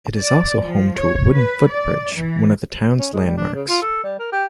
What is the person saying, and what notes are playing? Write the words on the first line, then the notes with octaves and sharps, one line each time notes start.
It is also home to a wooden foot bridge, one of the towns landmarks.
D5
F3
C#5
B4
D5
E3
C#4
G#3
G3
D4
C#3
F4
A4
G3
A#4
G4